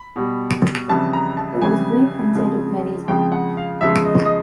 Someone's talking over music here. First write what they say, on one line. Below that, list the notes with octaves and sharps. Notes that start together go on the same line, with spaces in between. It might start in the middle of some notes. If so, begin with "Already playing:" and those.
It was reprinted many times.
Already playing: B5
B2 G3
F2 C#3 E3 G3 A5
A#5
A5
F2 C#3 E3 G3 G#5
F2 C#3 F3 G#3
F2 C#3 F3 G#3 G5
F#5
F5
E2 C#3 F3 G#3 E5
D#5
D#5